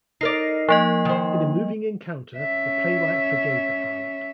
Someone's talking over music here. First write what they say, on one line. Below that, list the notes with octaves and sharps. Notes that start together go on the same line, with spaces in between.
In a moving encounter the playwright forgave the pilot.
D#4 A#4 D5 C7
F3 A#3 D#5
D#3 C5
C#4 E5